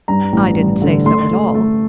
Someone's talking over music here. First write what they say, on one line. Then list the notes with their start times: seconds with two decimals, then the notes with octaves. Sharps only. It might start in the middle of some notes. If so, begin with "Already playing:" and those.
"I didn't say so at all."
0.08 G2 A#5
0.33 A1
0.57 G2
0.82 D3
1.05 A3 C6
1.31 A3
1.55 A3